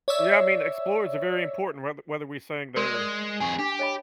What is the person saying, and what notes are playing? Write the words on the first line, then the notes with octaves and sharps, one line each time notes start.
Yeah, I mean, explorers are very important whether whether we saying they're,
C#5 D5 E5 E6
G#3 A#4 D5 C6
D5
F2 G#4 G#5 C#6
D4 G4
C#5 D#5 B5